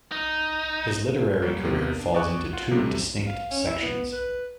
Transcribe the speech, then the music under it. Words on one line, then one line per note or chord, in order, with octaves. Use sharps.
His literary career falls into two distinct sections.
D#4
A#2 F#3 G3
C3 D#3 A#3 B3
D4
D5 D#5 G5 G#5 C#6 F#6
F4 F#5
C3 F#3 G3 A3 C4 D4
F5
C#4
E4
B3
B4